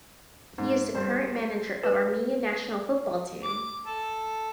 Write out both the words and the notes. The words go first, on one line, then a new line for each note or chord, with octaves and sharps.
He is the current manager of Armenia national football team.
G#2
G2 C5
B4
D6
A4